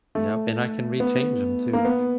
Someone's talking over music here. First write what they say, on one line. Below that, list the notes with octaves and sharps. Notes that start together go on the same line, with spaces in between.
Yep, and I can rechange ‘em too.
A3
B3
A#3
B3